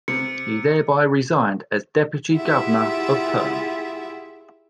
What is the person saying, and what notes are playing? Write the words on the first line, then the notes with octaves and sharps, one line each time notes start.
He thereby resigned as Deputy Governor of Perm.
C3 C#7
E4 F4 G4 G#4 E5 F#5